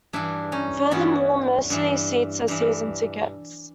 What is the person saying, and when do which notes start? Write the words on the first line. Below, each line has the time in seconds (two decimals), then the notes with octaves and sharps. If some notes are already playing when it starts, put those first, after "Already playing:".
Furthermore, most of those seats are season tickets.
0.13 G2 E3 D4 E4
0.52 C#4 D#4
0.91 G2 E3 B3 C#4
1.70 G2 E3
2.48 G2 E3